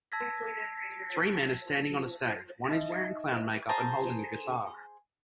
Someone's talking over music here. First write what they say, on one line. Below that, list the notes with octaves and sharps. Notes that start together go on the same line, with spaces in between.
Three men are standing on a stage, one is wearing clown makeup and holding a guitar.
A5 E6 G#6 A#6 B6
D#4 D#5 E5
G#4 C5 A5 A#5